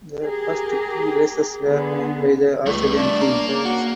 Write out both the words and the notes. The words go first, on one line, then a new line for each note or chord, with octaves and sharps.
The first two races were won by the Australian team.
G4 G#4 A#4
D3 B3 G#4
C#2 G3 A3
D4
A#3 A#5
C#3
F#4